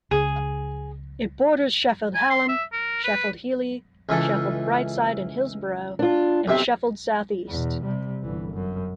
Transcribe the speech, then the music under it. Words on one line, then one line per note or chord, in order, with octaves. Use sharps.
It borders Sheffield Hallam, Sheffield Heeley, Sheffield Brightside and Hillsborough and Sheffield South East.
C#2 C#3 G#4
G#5
C6
E5
A#4
B4
C#2 E3 A4
D4 F4
B1 C3 E5
E2 B2
C3 G3
G1 E3
F#2